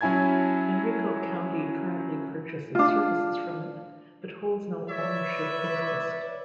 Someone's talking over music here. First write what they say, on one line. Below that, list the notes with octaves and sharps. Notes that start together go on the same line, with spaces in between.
Henrico County currently purchases services from it, but holds no ownership interest.
F#3 C#4 E4 G#5 A5 G#6
D4 F4
B4 C#5 D5 E5